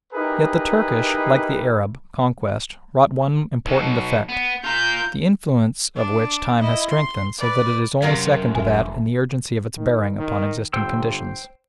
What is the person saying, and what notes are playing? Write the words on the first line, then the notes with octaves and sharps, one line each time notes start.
Yet the Turkish, like the Arab, conquest wrought one important effect, the influence of which time has strengthened so that it is only second to that in the urgency of its bearing upon existing conditions.
D#4 E4 G4 G#4 A#4 B4
B1 B2
B3
F4 A#5 G6
D4
E4 D#5
C6
B4 D5
F#2 C3 A#4 F5
F1 E5 G#5
D#3
D#3
G1 C5 G5 E6